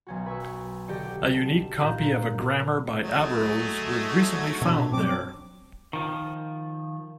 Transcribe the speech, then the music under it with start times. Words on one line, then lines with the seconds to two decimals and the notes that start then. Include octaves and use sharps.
A unique copy of a grammar by Averroes was recently found there.
0.07 B1 C#4 F#4
0.26 B4 C#6 E6
0.88 D3 G4 D5 D#5 C#7
1.34 A5
1.82 A#2 A#5 F#6 G6 A#6
3.02 F#3 G#3 A3
4.62 B2 D4
4.93 F#3 C4 D6
5.93 D#3 F3